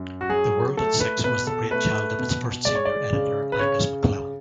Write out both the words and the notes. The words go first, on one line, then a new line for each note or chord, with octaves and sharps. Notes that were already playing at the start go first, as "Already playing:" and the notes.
"The World at Six" was the brainchild of its first senior editor, Angus McLellan.
Already playing: F#2
F#4
F#3 G#4
A3 A4
B4
B2 B4
A4
A3 B4
B2
G#3 D5
C#5
D5
C#3
B4
C#3 C#5